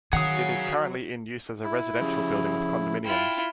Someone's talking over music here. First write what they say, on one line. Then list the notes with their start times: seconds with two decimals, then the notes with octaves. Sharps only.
It is currently in use as a residential building with condominiums.
0.13 D#3 F#3 G#4 F5 F#5 D#6
1.64 E4
2.01 C#3 F3 G4
3.06 E4 F4 G5